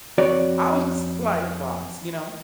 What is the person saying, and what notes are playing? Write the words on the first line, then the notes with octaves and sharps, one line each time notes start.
I was, like, lip gloss, you know?
F2 F#4 C#5 D5